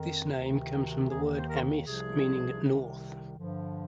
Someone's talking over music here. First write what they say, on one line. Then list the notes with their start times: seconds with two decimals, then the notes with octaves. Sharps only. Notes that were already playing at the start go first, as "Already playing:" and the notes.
This name comes from the word amis, meaning north.
Already playing: F2 D#3
0.33 D2 C3 D#3
1.09 D#2 D#3 G#4
1.36 C5
1.46 A#4
1.84 C2 C3 F3 G#4
2.60 C2 C3 D#3
3.37 G2 D3 F3